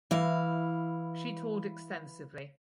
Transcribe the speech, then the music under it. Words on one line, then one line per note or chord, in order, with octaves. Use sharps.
She toured extensively.
E3 E4 F5